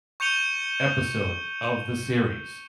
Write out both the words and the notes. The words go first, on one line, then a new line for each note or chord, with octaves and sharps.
episode of the series
C#6 G6 C#7 D#7 F7 G7